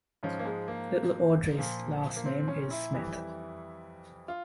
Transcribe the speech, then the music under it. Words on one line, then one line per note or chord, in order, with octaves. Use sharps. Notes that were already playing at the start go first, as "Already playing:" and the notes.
"Little Audrey"'s last name is Smith.
G#2 F3 C#4
A#3
G#3
A#3
A#2 F3
A#3
C4
C#4
E4
F2 E3 G3
F4